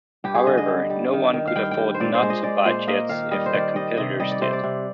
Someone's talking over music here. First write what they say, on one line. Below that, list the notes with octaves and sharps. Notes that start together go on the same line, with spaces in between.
However, no one could afford "not" to buy jets if their competitors did.
G2 G4
G#4
D3 D#5
D#5
G2
G3
D#3
D#3
F5
G2 G5
G5
G2
C5
A#2 D5
C5
G#3
D#5
G#3 D5
A#2 C5
A#3 D#5
D#3 F5
G3 D#5
C5
D#3 D5
G3 D#5
C3 D#5
G3 D#5
D5
C3 C5
D5
C3